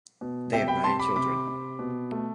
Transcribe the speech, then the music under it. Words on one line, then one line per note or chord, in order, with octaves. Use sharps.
They have nine children.
B2
C3 E5 G5
G5 B5
C3 A5 C6
B5 D6
C3 B5 D6
C3
B2
A3